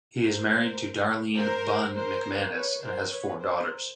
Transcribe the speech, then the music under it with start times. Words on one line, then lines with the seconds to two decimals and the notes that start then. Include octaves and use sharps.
He is married to Darlene "Bun" McManus and has four daughters.
0.19 A#4 C5
1.37 A#4 C5
1.94 A#4 C5
2.52 B4 C#5
2.82 A#4 C5
3.11 B4 C#5
3.41 A#4 C5